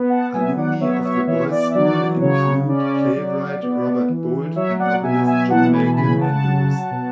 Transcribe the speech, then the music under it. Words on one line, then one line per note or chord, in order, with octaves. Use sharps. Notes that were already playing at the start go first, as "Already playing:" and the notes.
Alumni of the boys' school include playwright Robert Bolt and novelist John Malcolm Andrews.
Already playing: B3
F#5 A5
F#3 E5 G#5
D5 F#5
B3 C#5 E5
C#5 E5
E3 C#5 E5
D5
E5
F#3 D5
C#3 C#5
C#4 D5
F#3
B3
E3
F#3 C#5 E5
D5 F#5
B2 E5 G#5
E5 G#5
E3 F#5 A5
G#5 B5
A5
C#3 G#5 B5
F#5 A5
F#3
B2